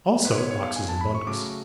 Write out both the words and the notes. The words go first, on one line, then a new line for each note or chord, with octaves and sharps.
Also boxes and bundles.
G#2 G#3 B3 B4
C#5
C#5
F5
G#5
A5
B5
C#6
C#3 F#3 A3 D6